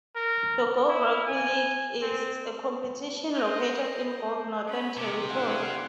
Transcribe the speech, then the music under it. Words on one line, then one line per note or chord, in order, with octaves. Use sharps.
The Gove Rugby League is a competition located in Gove, Northern Territory.
A#4
E4
G#5
C4
A#4 C5 D#5
C#4 B5
C3 D6
D4 E4 F5 F#5 G#5